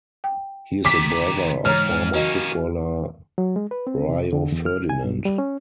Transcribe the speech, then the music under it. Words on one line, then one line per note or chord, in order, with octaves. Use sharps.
He is the brother of former footballer Rio Ferdinand.
G5
D3 D#3 D6 B6
G#2 E3 C#5 A#5 F6
A#3 C#4 F#4 D#5
F#3
G#3
B4
C4
C3
D3
E2
F6
G#5
G2
G3
C#4